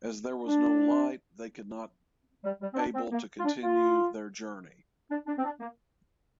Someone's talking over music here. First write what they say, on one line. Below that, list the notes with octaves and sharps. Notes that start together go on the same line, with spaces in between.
As there was no light they could not able to continue their journey.
D4
G3
G3
C4
D4
C4
A#3
F4
D4
F4
D4
D4
C4
D4
A#3